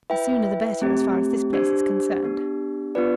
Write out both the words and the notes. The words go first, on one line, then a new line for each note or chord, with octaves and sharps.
"The sooner the better as far as this place is concerned."
E4 B4 E5 G5
A3 C4 G4
D4 G4 C5
B3 D4 G4
B3 D4 F4 B4 D5